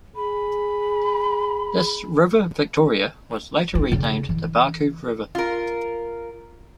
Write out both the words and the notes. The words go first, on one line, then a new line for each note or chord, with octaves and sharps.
This "River Victoria" was later renamed the Barcoo River.
G#4 B5
E4
C#3
E3
F4 A#4